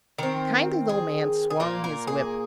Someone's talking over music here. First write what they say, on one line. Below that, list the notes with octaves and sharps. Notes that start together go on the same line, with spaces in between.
The kindly little man swung his whip.
D#3 C4 A#4
G#4
G#4
A#2 A#3 F4
A#4
G#4